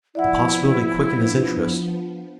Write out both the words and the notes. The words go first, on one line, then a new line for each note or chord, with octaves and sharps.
The possibility quickened his interest.
F3 B3 E4 D5 E5 F#5
D4